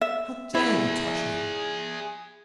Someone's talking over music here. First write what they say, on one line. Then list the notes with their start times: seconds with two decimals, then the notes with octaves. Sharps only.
How dare you touch me?
0.01 E5
0.55 E4 G#4 E5